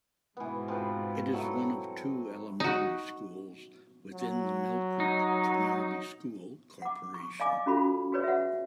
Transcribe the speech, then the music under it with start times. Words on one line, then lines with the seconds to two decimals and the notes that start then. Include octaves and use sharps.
It is one of two elementary schools within the Mill Creek Community School Corporation.
0.37 G#2 B2 E3 B3
0.68 F3 C4 B4
1.33 F#3 E4 A4
2.60 D#4 F#4
4.14 F#3
5.00 D#4
6.82 F#5 D6
7.14 C#6
7.40 D5 D#5 F5 G#5 D6
7.66 C#4 F4 F#4 A4 B5
8.12 F#4 G#4 B4 C#5 D5
8.24 E5 F#5